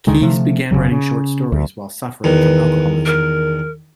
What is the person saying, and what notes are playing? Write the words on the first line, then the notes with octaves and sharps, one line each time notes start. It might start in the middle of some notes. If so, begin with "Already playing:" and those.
Keyes began writing short stories while suffering from alcoholism.
D2 D3 D#3 G#3
C3 F3 A3
F#1 C#2 C#3 F#3
C#3
D2
E2 D#3 B4
A#4